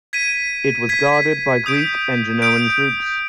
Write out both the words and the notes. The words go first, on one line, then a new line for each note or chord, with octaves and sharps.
It was guarded by Greek and Genoan troops.
G#6 B6 D#7
G#6 B6 D#7
D#6 G6 D7
D#6 G6 D7